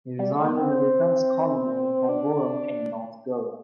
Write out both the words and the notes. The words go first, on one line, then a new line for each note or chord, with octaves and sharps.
He resided in the Defence Colony in Porvorim in North Goa.
G3
A3
B3
C4
D4